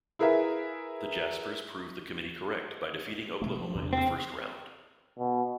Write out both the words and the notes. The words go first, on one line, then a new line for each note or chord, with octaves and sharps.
The Jaspers proved the committee correct by defeating Oklahoma in the first round.
E4 G#4 A#4 B4 E5
B2 G#3 A3
F3
E2 C3 D4
C4
B2